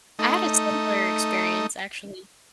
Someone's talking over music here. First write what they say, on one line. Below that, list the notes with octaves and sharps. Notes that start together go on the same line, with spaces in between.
I had a similar experience actually,
A3 D#4